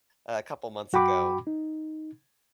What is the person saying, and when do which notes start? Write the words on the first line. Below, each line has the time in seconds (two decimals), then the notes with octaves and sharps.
A couple months ago
0.93 F#2 F#4 G5 B5 D6
1.47 D#4